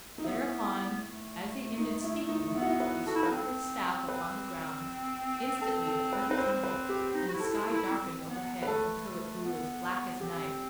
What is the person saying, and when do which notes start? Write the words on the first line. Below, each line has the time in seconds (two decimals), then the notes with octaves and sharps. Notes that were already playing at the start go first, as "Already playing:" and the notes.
Thereupon, as he ended speaking, he struck his staff upon the ground. Instantly the earth trembled, and the sky darkened overhead until it grew as black as night.
0.18 D#4
0.24 B3 E4
1.01 A3
1.77 D#4
2.04 E4
2.29 D#4
2.55 B3 E4
2.62 F#4
2.70 E4
2.80 B4
3.06 F#4 A4
3.15 E4
3.23 D#4 B4
3.31 C4 A4
4.08 C4 B4
5.61 C4 A4
5.87 A4
6.13 B4
6.29 D#4 B4
6.38 C4 C5
6.64 B4
6.89 G4
7.14 D#4
7.28 F#4
7.34 E4
7.40 A4
7.53 E4
7.65 A4
7.72 E4
7.91 C4
8.29 B3
8.63 B4
8.67 A3 A4
9.45 B3
10.20 C4 G4